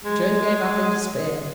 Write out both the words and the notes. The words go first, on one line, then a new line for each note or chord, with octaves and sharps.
Joan gave up in despair.
G#3